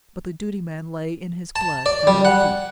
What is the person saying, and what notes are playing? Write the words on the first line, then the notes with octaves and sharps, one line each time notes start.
But the duty man lay in his blood at our feet.
A5
D5
G3
F#5